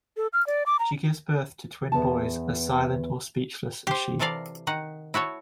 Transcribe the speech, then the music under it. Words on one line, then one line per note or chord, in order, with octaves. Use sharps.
She gives birth to twin boys as silent or speechless as she.
A4
F6
D5
D6
A#5
E2 B3 A5
G4 C5
C3 E3 A4 A#4 D5 F5
D#3 D#4 F#5
E4 F#4 A4 C#5